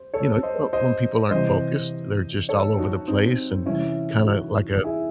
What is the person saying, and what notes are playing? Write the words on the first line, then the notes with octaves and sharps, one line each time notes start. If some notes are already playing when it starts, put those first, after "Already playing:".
you know, uh, um, when people aren't focused, they're just all over the place and kinda like a
Already playing: C5
A4 C#5
C5 D#5
C5 D#5
C3 E3 C5 D#5
A4 C#5
D#4 F#4
C4 D#4
C3 E3 C#4 E4
D#4 F#4
E4 G#4